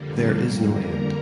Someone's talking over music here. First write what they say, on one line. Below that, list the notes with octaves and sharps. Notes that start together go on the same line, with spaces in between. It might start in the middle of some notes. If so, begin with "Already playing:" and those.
There is no end.
Already playing: F2 D3 G3 A#3
A#4 A#5